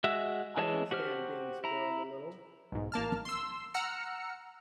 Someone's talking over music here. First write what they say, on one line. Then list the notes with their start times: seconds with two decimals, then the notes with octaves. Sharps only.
I can stand being spoiled a little.
0.04 G#3 F#4 E5
0.57 E3 G#3 G#4 C#5 A5
0.91 F#4 G4 C5 F6
1.64 E4 A#5
2.72 B1 G#2
2.92 A1 A#3 A5 F6
3.25 C6 E6
3.74 F#5 A#5 E6 F6 C#7